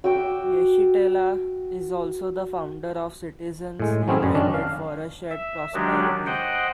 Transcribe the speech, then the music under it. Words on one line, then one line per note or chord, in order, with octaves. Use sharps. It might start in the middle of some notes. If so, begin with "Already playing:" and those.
Yeshitela is also the founder of Citizens United for a Shared Prosperity.
F#4 E5 G5 D6
A2 G#3
F#3 A3 C4 C#4 E4 G#4
F#2
D#3 C#4 D4
F5
E5
D#3 F#3 G#3 D4 F#4 G4
C5 D#5 F#5 G5